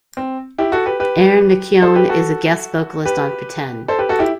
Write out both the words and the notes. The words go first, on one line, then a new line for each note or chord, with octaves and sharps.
Erin McKeown is a guest vocalist on Pretend.
C4
E4 G4
F#4 A4
G4 B4
G4 B4
A4 C5
G4 B4
F#4 A4
G4 B4
A4 C5
G4 B4
F#4 A4
E4 G4